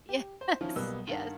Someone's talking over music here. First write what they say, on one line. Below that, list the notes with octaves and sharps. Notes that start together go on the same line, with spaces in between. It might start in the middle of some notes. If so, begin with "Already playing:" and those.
Yes, yes.
G4
C5
D#3 F3 C#4 E4 F4
B1 G3 A#3 B3 E6 F#6
G2 D#3 A#4 F5 F#5 A5